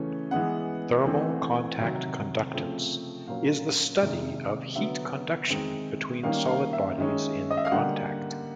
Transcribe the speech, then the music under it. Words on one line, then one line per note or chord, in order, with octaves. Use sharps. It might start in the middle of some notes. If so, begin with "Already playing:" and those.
Thermal contact conductance is the study of heat conduction between solid bodies in contact.
Already playing: C#3 E3 A3 C#4
E3 G#3 B3 F#5
E3 A3 C4
C3 D#3 F#3
C#3 F3 A3 C4
A#2 F#3 A#3 C#4 F5
C3 D#3 G#3
D3 F#3 B3 E5
D#3 G#3 C4
D#3 G3 A#3 C#4 F5
F5
E5
D#3 G#3 C#4
D#5
E5
F5
D3 G3 A#3 F#5